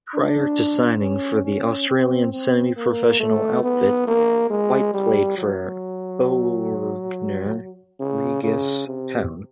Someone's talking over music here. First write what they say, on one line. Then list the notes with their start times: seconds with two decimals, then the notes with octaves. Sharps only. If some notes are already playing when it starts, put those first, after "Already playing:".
Prior to signing for the Australian semi-professional outfit, White played for Bognor Regis Town.
0.15 D4
1.02 C#4
1.45 C#4
1.89 C4
2.33 C4
2.76 A#3
3.19 A3
3.63 B3
4.07 A#3
4.50 G#3
4.94 G3
5.38 F#3
8.00 C#3
8.43 C#3
8.87 C3